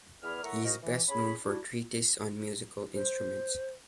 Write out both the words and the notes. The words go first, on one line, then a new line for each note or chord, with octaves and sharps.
He is best known for a treatise on musical instruments.
E2 B3 G#4 D5 B5 F6
A2 A#4 E5 F#5 A#5 C#6
D#3 A#3 F#4 A#4 C5 D#5
E3
C#4 G#4 B5
D4 E4 F#4
C5